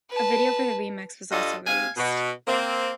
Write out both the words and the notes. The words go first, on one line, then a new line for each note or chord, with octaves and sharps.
A video for the remix was also released.
B4 A5
G2 D4 F4 A4 D#5
C3 F5 G#5
B2
A#3 C4